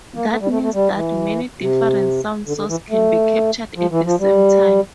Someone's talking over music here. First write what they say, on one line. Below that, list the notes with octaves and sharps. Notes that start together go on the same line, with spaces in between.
That means that many different sound sources can be captured at the same time.
A#3
A3
G3
A3
A3
G3
E3
C3
D3
D3
E3
A3
F3
E3
F3
G3